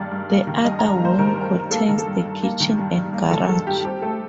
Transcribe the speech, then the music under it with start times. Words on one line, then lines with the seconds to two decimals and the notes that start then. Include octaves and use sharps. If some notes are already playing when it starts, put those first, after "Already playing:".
The other wing contains the kitchen and garage.
Already playing: G2 D#3 A#3 D5
0.11 G2
0.30 A#3
0.47 D#3
0.64 G2 D#5
0.79 G2 A#5
1.01 A#3 C5
1.18 D#3 A#4
1.35 G2
1.54 G2
1.71 A#3 A4
1.88 D#3
1.98 A4
2.07 G2
2.25 G2
2.43 A#3
2.60 D#3
2.78 G2
2.95 G2
3.13 A#3
3.31 D#3 A4
3.48 G2 A4
3.67 G2 G4
3.84 C4 G4
4.02 A3 A4